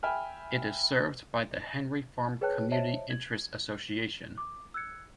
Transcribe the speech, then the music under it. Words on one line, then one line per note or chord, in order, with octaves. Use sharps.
It is served by the Henry Farm Community Interest Association.
E5 G5 G#5 B5 F6
G#4 B4 C#5 G5 A5 F#6
C5 C#5 D#5 E5 A5
G#6 F#7
D6
E6 F#6 G#6 C#7